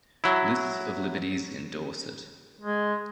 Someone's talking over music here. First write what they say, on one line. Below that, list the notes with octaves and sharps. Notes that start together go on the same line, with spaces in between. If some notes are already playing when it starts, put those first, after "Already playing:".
List of liberties in Dorset.
F#3 E4
G#3